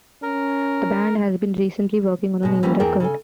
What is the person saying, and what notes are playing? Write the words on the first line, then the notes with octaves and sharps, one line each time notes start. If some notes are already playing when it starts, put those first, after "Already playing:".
The band has been recently working on a new record.
C#4 A#4
B2 G#3
E3 G3 A#3 B3 C#4 F4
E2 E3 G#4 A#4 G5
C#3 A4 G#5